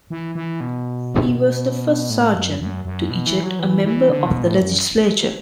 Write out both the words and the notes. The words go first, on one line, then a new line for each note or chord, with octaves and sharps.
He was the first sergeant to eject a member of the Legislature.
E3
E3
B2
A2
F#2
F#2
F#2
B2
E3
F#3
E3
E3
D3
B2
A2
F#2